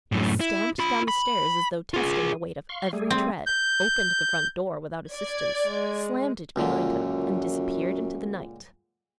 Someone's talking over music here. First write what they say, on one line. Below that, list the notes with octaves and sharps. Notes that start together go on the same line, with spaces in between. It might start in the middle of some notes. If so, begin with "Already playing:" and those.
He stamped down the stairs as though testing the weight of every tread, opened the front door without assistance, slammed it behind him and disappeared into the night.
F#2 A2
E4
F4 B5
B5
F4 G#4
F5 C6 C#6
G3 A3 G#4
C4
G6
D5 G#6
G#3
C#2 F#2 A#2 D3